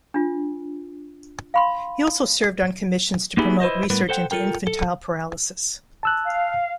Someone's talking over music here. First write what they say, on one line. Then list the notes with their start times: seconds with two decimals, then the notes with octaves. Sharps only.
He also served on commissions to promote research into Infantile Paralysis.
0.14 D4 F4
1.54 F5 B5 C6
3.37 A#3 B3 D#4 E4 G4 G#4
3.60 E4 B4 C5 D#5
3.90 A2 G3 B3 A#4 B4
4.09 A4 C5 F#5 G5
4.31 F4 A4 A#4 G5
4.67 A4
6.03 A5 E6 F#6
6.26 F5